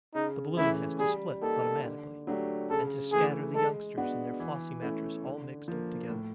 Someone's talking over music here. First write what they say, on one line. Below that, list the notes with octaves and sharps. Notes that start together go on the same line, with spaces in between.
The balloon has to split automatically and to scatter the youngsters and their flossy mattress all mixed up together.
C#3 D#4
E3 A3 C#4 E4
G3 G#4
A#3 D#4 G4 A4
D3
F#3 A3 D4 G4
C#3 A4
E3 A3 G#4
G#3 A4
B3 D4 F#4
E3
A3 C#4 E4
D3
F3 A#3
A2